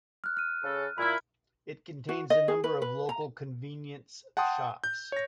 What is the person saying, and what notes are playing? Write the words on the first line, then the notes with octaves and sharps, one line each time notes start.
It contains a number of local convenience shops.
F6 F#6
F6 D#7
C#3 A4
A#2 E4 B5 F6
F#4
D#5
G#4
B4
B4
A#5
F#5 G5 A5 C6 D#6
G6
C#5 A#6